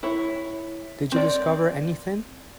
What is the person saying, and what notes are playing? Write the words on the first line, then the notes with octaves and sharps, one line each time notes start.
Did you discover anything?
E4 C#5
C4 D5